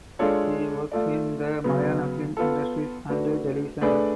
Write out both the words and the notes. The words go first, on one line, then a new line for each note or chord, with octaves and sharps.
She works in the Malayalam film industry and television.
G#3 D4 F4 A4 C#5
A3 F4 A4 D5
C#3 F#3 B3
B3 F4 A4
A3 D4 F#4 B4
A3 D4 G#4 B4 D5